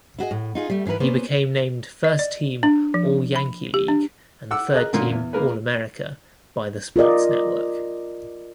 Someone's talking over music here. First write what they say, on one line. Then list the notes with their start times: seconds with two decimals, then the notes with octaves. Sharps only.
He became named first-team All-Yankee League and third-team All-America by The Sports Network.
0.18 E4 F#4 G#4 D#5
0.31 A2
0.55 D#4 F4 G#4
0.70 G3 A3
0.85 G#2 E3 G#4 A#4 B4
1.00 A#3 B3 C#4 B4 C5
2.04 D#5
2.19 D5
2.63 D4
2.94 F3
3.36 B5
3.74 G4
3.88 D4
4.51 F#5 D6 E6
4.73 G#4 A#4 D#5 F#6
4.93 F#2 A#2 D3
5.11 E2
5.33 A#3 G#4 A#4 B4
6.96 F4 A#4 D5 D#5